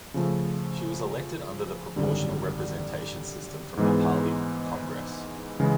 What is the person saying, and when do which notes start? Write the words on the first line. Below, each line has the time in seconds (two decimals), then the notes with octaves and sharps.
She was elected under the proportional representation system from Nepali Congress.
0.14 C#3 F3 A3
1.96 G#1 F#2 D3 G3
3.77 G#2 E3 G#3 B3
5.60 C#3 E3 G#3